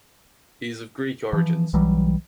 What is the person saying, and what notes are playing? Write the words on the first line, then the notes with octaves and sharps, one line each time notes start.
He is of Greek origins.
E3 F3
B1 E3 F#3 G3